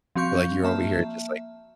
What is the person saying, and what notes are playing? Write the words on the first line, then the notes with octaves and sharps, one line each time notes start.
Like, you're over here just, like,
F3 C4 F#4 F5 C#6 G6
A#3 E5 A5